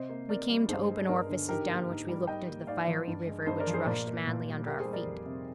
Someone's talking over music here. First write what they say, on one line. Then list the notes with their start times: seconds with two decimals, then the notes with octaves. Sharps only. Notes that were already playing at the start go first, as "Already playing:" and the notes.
We came to open orifices down which we looked into the fiery river which rushed madly under our feet.
Already playing: C3 C5 D#5
0.10 A#3
0.29 C3 A#4 D5
0.49 G3
0.69 G2 G#4 C5
0.89 G#3
1.08 G2 A#4 D5
1.29 D3
1.48 G#2 G4 A#4
1.69 A#3
1.88 G#2
2.09 G3
2.27 G#2 D#5 G5
2.48 A#3
2.67 G#2 D5 F5
2.88 F3
3.07 G2
3.27 G#3
3.46 G2 C5 D#5
3.60 A#4 D5
3.67 F3
3.74 G#4 C5
3.87 A#2 A#4 D5
4.07 A#3
4.27 A#2
4.46 G3
4.66 A#3 G4 A#4
4.80 G#4 C5
4.85 G3
4.93 A#4 D5
5.06 F2
5.26 C3